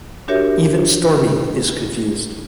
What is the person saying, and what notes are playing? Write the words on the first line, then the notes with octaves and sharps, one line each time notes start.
Even Stormy is confused.
D4 F#4 G4 A#4 C#5 E5